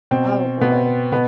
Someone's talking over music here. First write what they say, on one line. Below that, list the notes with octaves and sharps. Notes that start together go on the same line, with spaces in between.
Oh, boy.
B2 C4
B2 B3
B2 B3